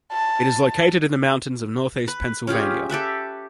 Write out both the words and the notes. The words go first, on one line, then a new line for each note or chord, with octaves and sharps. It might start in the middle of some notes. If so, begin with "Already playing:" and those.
It is located in the mountains of northeast Pennsylvania.
A5
B4
C#4 F4 G4 G#4
G4 A4 B4 E5